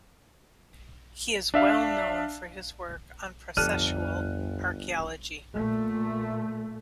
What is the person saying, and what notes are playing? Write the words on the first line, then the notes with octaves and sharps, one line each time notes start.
He is well known for his work on processual archaeology.
D4 E5 F5
G1 F2 G3 A4 F6 F#6 D#7
A#2 A3